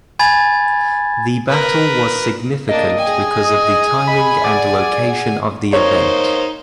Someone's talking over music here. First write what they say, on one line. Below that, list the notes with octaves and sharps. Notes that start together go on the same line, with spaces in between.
The battle was significant because of the timing and location of the event.
G#5 B5 G#6 A6
A#4 B4
A#3 D4 D#5
G#4 G5 G#5
D#6
D#5 B5
D5 F#5
F#5
A#3 D#4 C5 C#5